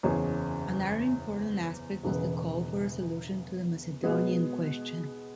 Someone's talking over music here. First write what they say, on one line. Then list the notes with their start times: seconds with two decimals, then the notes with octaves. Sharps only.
Another important aspect was the call for a solution to the Macedonian Question.
0.03 F#1 E2 E3 C#4 G#4
2.03 E1 E2 C#3 E3 B3
4.03 B2 G#3 B3